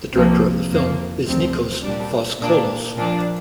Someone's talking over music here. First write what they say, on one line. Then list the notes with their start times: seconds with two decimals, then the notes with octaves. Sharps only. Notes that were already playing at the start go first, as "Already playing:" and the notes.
The director of the film is Nikos Foskolos.
0.13 C2 C3 F3 A#3
0.69 F2 F3 A#3
1.26 D2 C3 F3 C4
1.83 A#2 G3 D4
2.39 A#2 A#3 D4
2.96 A#2 F3 D4